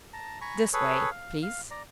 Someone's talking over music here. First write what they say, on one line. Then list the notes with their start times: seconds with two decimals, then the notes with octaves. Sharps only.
"This way, please."
0.13 A5 A#5
0.41 G#5 A#5 B5 C#6
0.73 G#4 A4 B4 C#5
1.11 F5
1.42 F5
1.71 D5 A#5